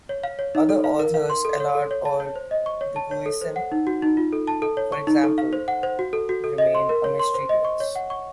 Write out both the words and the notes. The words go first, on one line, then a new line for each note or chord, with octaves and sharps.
Other authors, Allard or Dubuisson for example, remain a mystery to us.
C#5
F5
C#5
D#4
A4
F5
A#4
F5
C6
A4
C#5
A4
C#5
A5
C#5
C5
D#5
C#6
C#5
A5
C#5
A4
C5
F#5
D#4
F#4
D#4
F4
A4
A5
A4
C#5
C#6
D#4
A4
F5
C5
F#5
C5
F#4
A4
F#4
A4
D#5
C6
A#4
C#5
C6
C5
D#5
C#6
C#5
F#5
C#6